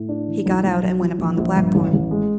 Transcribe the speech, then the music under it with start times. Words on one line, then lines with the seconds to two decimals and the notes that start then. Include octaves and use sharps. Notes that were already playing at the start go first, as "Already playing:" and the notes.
He got out and went upon the platform.
Already playing: A2
0.09 D4
0.28 E3
0.46 B1
0.64 B1
0.83 F#3
1.01 F3
1.19 A#1
1.37 A#1
1.56 G2
1.75 A1
1.93 A1
2.11 G#3